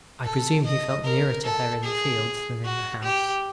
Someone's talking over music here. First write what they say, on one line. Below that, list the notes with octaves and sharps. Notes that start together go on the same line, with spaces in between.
I presume he felt nearer to her in the fields than in the house.
A4
D#5
A#4
A4
G#4
F#4
G4